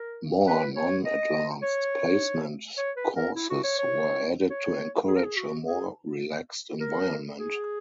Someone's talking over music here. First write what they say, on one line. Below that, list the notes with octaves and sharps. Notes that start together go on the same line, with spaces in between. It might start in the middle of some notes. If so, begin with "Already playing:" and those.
More non-Advanced Placement courses were added to encourage a more relaxed environment.
Already playing: A#4
B4
C#5
D#5
C#5
C#5
B4
A#4
E4
F#4
C#5
C#5
C#5
G#4
A#4
G#4
F#4
G#4
A#4
G#4